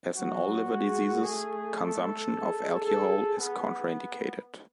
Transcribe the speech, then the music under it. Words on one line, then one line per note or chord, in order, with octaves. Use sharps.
As in all liver diseases, consumption of alcohol is contraindicated.
F#3 F#4
G#3
A3 G#4
A4
G#4
A4
B3